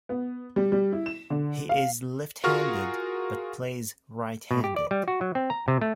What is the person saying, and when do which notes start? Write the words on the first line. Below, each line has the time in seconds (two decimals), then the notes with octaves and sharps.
He is left-handed, but plays right-handed.
0.09 B3
0.56 G3
0.72 G3
0.93 E4
1.06 E7
1.30 D3
1.69 F5
2.44 F4 F#4 G#4 A#4 C#6 F6
4.51 B2
4.64 G4
4.76 D5
4.91 G3
5.08 F#4
5.21 F#3
5.35 C4
5.50 A#5
5.68 C3
5.81 A3